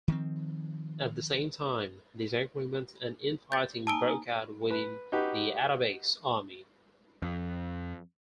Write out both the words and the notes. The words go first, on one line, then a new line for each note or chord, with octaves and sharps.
At the same time, disagreements and infighting broke out within the Atabeg's army.
D#3 F3 C4
G6 A6
A#3 D#4 G#5 A5 E6 D7
B4
D#4 F#4 G4 B4
F2